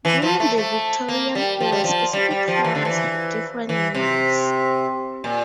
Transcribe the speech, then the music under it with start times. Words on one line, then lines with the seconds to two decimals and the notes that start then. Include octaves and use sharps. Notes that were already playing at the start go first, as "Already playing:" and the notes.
During the Victorian era, specific flowers had different meanings.
0.05 E3
0.22 F3
0.40 A3
0.58 A3
1.08 A#3
1.35 G3
1.60 F3
1.72 G3
1.84 F3
2.13 G3
2.31 G3
2.48 F3
2.64 E3
2.75 D3
2.85 E3
3.69 E3
3.95 C3
5.24 A#2